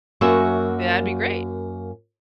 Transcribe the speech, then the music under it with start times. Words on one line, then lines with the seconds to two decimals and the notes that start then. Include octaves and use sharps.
That'd be great.
0.21 F#2 A#3 F#4 E5 F#5